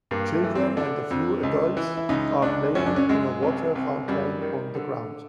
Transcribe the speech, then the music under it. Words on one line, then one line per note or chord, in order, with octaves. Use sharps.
Children and a few adults are playing in a water fountain on the ground.
G2 A#3
A3
E3
C4
D3 D4
F2
C#2
E3
E4
C#2 D#4
C#2 D4
F#2 C#4
D4
C#4
F#2 G#3
C2
C2
F#2 G3
D#3
D3